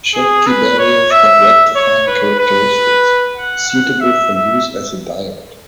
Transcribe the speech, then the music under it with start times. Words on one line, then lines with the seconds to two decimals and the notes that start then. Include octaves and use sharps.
Schottky barriers have rectifying characteristics, suitable for use as a diode.
0.15 G#4
0.46 B4
0.78 C#5
1.11 E5
1.75 C#5
2.07 B4
2.39 B4
3.36 F#5
3.68 F#5
4.00 E5
4.33 E5